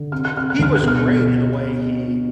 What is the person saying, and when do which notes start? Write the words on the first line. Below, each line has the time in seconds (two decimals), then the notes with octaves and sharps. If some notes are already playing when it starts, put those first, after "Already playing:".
he was great in the way he
Already playing: D3
0.12 C3 F6
0.25 F#6
0.35 C3 F6
0.50 F#6
0.59 D2 F6
0.75 F#6
0.83 B2 F6
1.07 B2